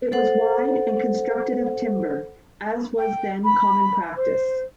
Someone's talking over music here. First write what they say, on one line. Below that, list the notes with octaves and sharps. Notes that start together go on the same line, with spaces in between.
It was wide and constructed of timber, as was then common practice.
A4 C5 F#5
G5
B5
C5